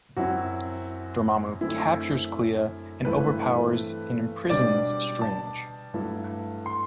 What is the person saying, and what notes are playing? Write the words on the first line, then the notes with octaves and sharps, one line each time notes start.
Dormammu captures Clea, and overpowers and imprisons Strange.
F#2 F#3 C4 E4 F#4
F#2 D3 A3 C4 E4
G2 E3 A3 C4 E4 B4
B2 G3 D4 D5
A5
G2 F#3 A3 E4
C6